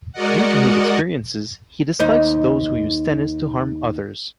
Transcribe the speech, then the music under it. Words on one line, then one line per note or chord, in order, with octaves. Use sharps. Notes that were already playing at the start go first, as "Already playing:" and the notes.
Due to his experiences, he dislikes those who use tennis to harm others.
G#3 F#4 A#4 D5 D#5 F#5
D#2 D#4 C5